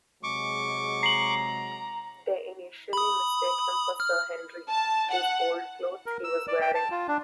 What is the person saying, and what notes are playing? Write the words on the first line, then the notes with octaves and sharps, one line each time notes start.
They initially mistake him for Sir Henry, whose old clothes he was wearing.
C3 F#3 G#3 C#6 D6
A#5 C7 F#7
B5 D#6
F6
A5
F#5
A#4
E6
D5
G5
A5
F4
D4